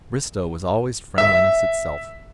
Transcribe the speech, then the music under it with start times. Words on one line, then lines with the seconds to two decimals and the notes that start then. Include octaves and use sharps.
Bristow was always friendliness itself.
1.18 E5